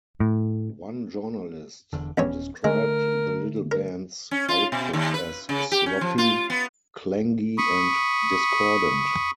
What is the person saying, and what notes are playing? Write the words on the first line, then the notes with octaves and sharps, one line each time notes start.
One journalist described the little bands' output as sloppy, clangy and discordant.
A2
E1 E2 D3
D#1 E2 G2 C#4 C#5
D3 G#3 A3 A#4
A#4
C#4
F4
B2
D#2
B4
C#3
G4
C#4
F3
F4
B3
B5 C#6 D#6